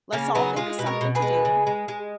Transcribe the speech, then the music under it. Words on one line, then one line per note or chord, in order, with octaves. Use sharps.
let's all think of something to do,
C#3 A#3 C#4
F#3 B3 D#4
G#3 F4 G#4
B2 B4
A#4 C#5
B2
G#4 B4
G#3
C#3
G#3
G#3